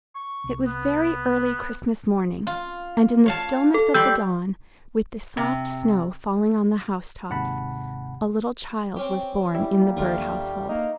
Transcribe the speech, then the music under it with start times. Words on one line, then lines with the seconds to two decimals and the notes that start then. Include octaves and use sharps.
It was very early Christmas morning, and in the stillness of the dawn, with the soft snow falling on the housetops, a little child was born in the Bird household.
0.15 C#6
0.44 C2
0.66 B3
2.47 F4
3.26 C#5 F5 A5
3.74 A4
3.94 G3 D5 C6 E6 G6
5.37 C3
7.29 D#2 G#2 C3 F#5 A5 B5
8.96 C4 C#4 G4
9.55 G3 E4
9.79 A#3
9.97 D#2 A3 D4 F4
10.69 A#3 D#4